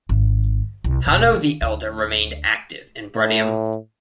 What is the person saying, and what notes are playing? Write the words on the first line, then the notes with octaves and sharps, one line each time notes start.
Hanno the Elder remained active in Bruttium.
G#1
C2
E1
D#3
D2
A2